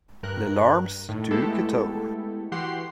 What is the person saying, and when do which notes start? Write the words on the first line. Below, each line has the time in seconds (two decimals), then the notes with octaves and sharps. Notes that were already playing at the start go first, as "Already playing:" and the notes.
"Les Larmes Du Couteau".
0.23 G2 A#4 F#6
1.09 A2 D#3
1.31 G#3 A3 B3 E4 G4 A4
2.52 E3 F#4 G4 F#5 C6 C7